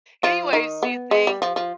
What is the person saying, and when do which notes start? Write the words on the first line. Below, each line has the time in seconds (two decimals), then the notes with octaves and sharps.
anyways, do you think
0.23 F3 F4
0.53 D#3 D#4
0.83 B3
1.11 G#3
1.27 G3
1.42 F3
1.56 F3